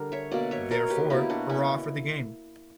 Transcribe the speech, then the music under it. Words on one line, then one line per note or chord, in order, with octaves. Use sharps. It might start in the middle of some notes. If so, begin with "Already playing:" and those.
Therefore, hurrah for the game.
Already playing: D3 G3 A#4
C#5 E5
B2 A#3 D5 F#5
C#5 E5
A#4 C#5
G4 B4
B2 A#3 E4 G4
D4 F#4
C#4 E4